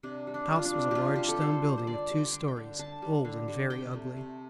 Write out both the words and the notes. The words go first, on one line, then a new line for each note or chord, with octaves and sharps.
The house was a large stone building of two stories, old and very ugly.
C3 D4
G3
D4
G3
F4
D4
C3
C3 F4 G4
G3 G4
A4
G3 C5
G3
C5
D3 D5
G3
G5
D3
G5
D3
D3 A5
G3
D3
G3
C3 G5
A3
C3